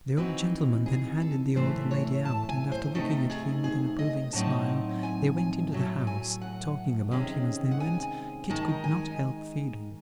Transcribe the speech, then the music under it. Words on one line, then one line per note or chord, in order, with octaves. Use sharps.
The old gentleman then handed the old lady out, and after looking at him with an approving smile, they went into the house--talking about him as they went, Kit could not help feeling.
E3 C4 D#4 F#4
G#4
A4
A2 E3 A3 C5
C#5
A5
G#5
C5
C3 D#3 A3 D#4 A4
G#4
G#4
D#5
A2 F#3 C4 D#4 A5
G#5
G#5
A2 F#3 A3 A5
G#5
F#5
C3 D#3 G#3 C#4
F#5
G#5
D#3 G#3 D#4 A5
G#5